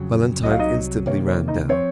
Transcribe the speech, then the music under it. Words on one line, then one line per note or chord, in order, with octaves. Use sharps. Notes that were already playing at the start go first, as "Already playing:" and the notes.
Valentine instantly ran down.
Already playing: F2 C#3 F#3
C2 C3 D#3 F#3 D#5
F5
D#4 D#5
C3 D#3 A#3 C#5
C#5
D#4 D#5
F3 C4 C#5